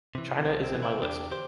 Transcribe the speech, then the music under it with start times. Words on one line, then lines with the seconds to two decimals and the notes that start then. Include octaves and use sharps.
China is in my list.
0.15 C3 E3
0.45 C2 C4
0.63 C4
0.73 C3 E3
0.82 C4 E4
1.02 E2 D4 G4
1.31 D3 G4 C5